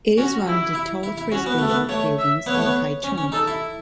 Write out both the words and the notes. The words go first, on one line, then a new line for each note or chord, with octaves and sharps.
It is one of the tallest residential buildings in Taichung.
C#4 F#4
E4
E4
E4
E4
C#4 F#4
B3
A3 A4
B3
A3 C#5
E5
B3 C#5
A3
B3
C#4
C#4
D#4 A4
E4